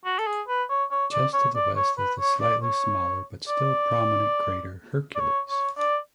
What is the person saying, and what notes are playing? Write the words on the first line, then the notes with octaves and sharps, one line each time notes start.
Just to the west is the slightly smaller but still prominent crater Hercules.
F#4
A4
G#4
B4
C#5
C#5
D5
C#5
D5
C#5
B4
C#5
D5
C#5
D5
D5
C#5
C#5
D5